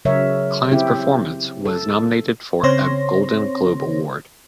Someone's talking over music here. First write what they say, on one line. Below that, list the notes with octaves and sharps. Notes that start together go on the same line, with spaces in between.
Kline's performance was nominated for a Golden Globe Award.
C#3 F#3 A#4 C#5 E5
C4 E4 G4
A4
C#3 C4 C5 C#5 C6 A#6